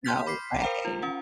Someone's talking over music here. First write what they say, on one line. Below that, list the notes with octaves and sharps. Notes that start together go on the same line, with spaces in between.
No way.
C6 F6 G6 B6
B5 D6 B6 C7
A#4 C5 F5 G5 A#5
F4
C#4 F#5